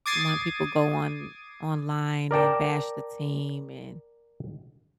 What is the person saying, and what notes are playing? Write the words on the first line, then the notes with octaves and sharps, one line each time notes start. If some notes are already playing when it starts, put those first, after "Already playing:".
when people go on online, and bash the team and
D6 D#6 G#6 A6 C7 D#7
A#4 D5 G5 A5